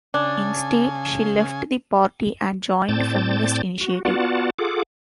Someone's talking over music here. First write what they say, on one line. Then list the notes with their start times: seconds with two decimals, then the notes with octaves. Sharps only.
Instead, she left the party and joined Feminist Initiative.
0.14 C#3 D4 G#5
2.89 A2 C4 D5 A5 G6 A6
3.81 F#4
4.05 B3 F4 F#4 D5 F#5 A5
4.58 F4 G#4 A4 F#5 D6